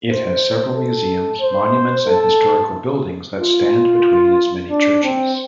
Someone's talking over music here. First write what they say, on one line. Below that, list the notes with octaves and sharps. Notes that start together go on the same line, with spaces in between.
It has several museums, monuments and historical buildings that stand between its many churches.
C5
A4
C5
A4
F4
D4
C4